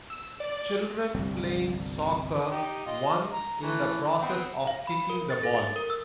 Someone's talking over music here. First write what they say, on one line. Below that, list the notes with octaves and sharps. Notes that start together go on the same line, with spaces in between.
Children playing soccer, one in the process of kicking the ball.
E6
D5
G1 C2 G3 C4
D#4 G4
F4 D#5
A#5
E3 A3
B3 C4
F5
B5
A#4
A6
A4
A6
A#4
E6